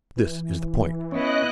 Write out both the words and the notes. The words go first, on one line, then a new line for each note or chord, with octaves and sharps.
This is the point.
E3
B3 C#4 E4 D#5 F#6